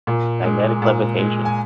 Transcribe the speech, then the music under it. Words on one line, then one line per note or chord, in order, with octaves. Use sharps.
Magnetic levitation.
A#2
G#3
A#2
G#3
G#5